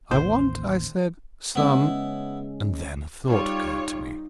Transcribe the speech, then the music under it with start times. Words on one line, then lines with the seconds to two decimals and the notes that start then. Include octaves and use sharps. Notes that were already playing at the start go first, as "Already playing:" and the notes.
"I want," I said, "some--" and then a thought occurred to me.
0.11 A1 D#2 C5
1.55 C#3 G#3 B3 C#4 E4
3.27 G3 D#4 F4 C#5